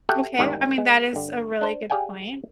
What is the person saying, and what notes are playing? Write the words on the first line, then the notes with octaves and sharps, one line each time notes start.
Okay. I mean, that is a really good point.
F#4 G4 A4 E5 F#5 G5
E2 G#2 D#3 G3 G#3
G#3
G2 D3
D4 C5
G4 G#4 D5 F5 G5 G#5